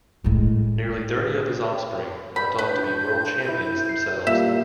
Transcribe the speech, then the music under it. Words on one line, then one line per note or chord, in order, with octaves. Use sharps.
Nearly thirty of his offspring went on to be World Champions themselves.
A2 G#3
B5 G6
D4 B4
E4
C7
A#2 G3 A#3 E5